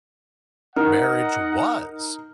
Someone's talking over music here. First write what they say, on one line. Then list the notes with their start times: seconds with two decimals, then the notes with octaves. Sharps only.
marriage was,
0.76 D#4 A#4 D#5 F#5